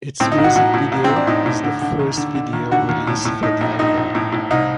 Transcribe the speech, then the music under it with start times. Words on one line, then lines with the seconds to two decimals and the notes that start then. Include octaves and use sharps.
Its music video is the first video released for the album.
0.20 A2 C4
0.32 D#4
0.38 A1
0.44 F#4
0.56 A2 F#4
0.74 A2
0.92 A1
1.04 C4
1.10 A1
1.16 D4
1.27 A2 D#4
1.46 A2
1.63 D3
1.81 D3
1.99 D#2
2.17 D3
2.35 D3
2.53 D#2
2.71 D3 F#4
2.89 D#2
3.07 A2
3.25 A2
3.43 A2 D#4
3.61 A#1
3.79 A#1 D#4
3.97 A#1
4.15 A2
4.32 A2
4.51 C2 D#4